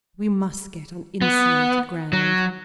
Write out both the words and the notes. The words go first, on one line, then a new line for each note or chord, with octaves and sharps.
We must get on insulated ground.
B3
F#3